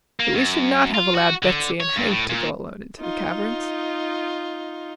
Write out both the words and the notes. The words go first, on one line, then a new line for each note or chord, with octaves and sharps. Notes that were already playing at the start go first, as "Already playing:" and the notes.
But we should not have allowed Betsy and Hank to go alone into the caverns.
A#3
F#2
F4
F#4
D3
C#5
G2
A2
A#2
D#4 F4